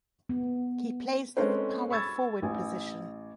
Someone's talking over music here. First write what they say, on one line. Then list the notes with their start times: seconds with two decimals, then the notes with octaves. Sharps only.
He plays the power forward position.
0.29 B3
1.37 G#3 C4 C#4 A4 B4 C5
1.90 B5 C#6 E6 G#6 A6
2.42 A1 G#5